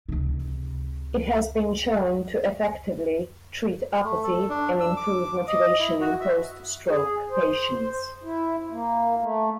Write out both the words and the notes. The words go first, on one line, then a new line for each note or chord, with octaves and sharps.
It has been shown to effectively treat apathy and improve motivation in post-stroke patients.
C#2 C3
A3
A4
D4
E6
D6
D#5
E4
F#4
E5
G#4
C5
E4
A#3
A3